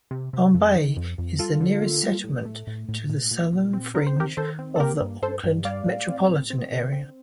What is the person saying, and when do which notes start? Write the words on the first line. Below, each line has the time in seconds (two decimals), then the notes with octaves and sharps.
Bombay is the nearest settlement to the southern fringe of the Auckland metropolitan area.
0.11 C3
0.33 C3
0.54 F2
0.75 D#3
0.97 F2
1.18 F2
1.39 G3 F4 A4
1.61 D3
1.81 A#3
2.03 G3
2.24 A2
2.45 A3
2.67 A2
2.89 A2
3.09 A#2
3.31 A#2
3.53 A#2
3.73 C4
3.94 C4 A#4
4.07 C5
4.16 D#3 G4 A#4
4.37 D#3 A4 C5
4.59 C4
4.76 A4
4.79 A#3 G4 A#4
5.01 G2
5.22 G2 A4 C5
5.44 G2
5.65 G3 D5 F5
5.86 A2
6.08 C4
6.29 A2
6.50 C4
6.72 D3
6.92 C4